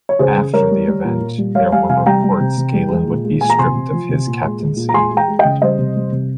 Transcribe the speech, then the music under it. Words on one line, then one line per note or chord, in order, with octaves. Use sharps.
After the event, there were reports Gallen would be stripped of his captaincy.
C#5
C#3 G#4 C5
C#3
G3 A#4 C#5
G3
G3
A#2
A#2
G3
G3 C#5 F5
G3 F5 G#5
C3 F5 G#5
G3 G5 A#5
G3
C3
C3
G3
G#3
A#2
G#3
A#2 G#5
A#5
C3 G#5 C6
C3
F3
C3
A#2
G#3
G#3
A#2
A#5
G#3 G#5 C6
G#3
G5 A#5
G#3
D#5 G5
C#3
G3 C5 D#5
C3
G3
C3